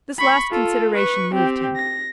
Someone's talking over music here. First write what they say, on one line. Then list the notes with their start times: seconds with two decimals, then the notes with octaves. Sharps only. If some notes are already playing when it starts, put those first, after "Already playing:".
This last consideration moved him.
0.19 B5 C#6
0.51 F4 A4
0.94 B4 C#6
1.34 C4 G4
1.76 A#6